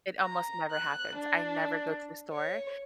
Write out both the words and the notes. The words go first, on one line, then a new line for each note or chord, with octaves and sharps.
It almost never happens; I never go to the store
A#5
F#6
D4
C#5